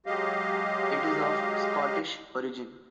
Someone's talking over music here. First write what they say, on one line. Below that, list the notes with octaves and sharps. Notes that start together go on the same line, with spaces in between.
It is of Scottish origin.
F#3 G#3 G4 D#5 F5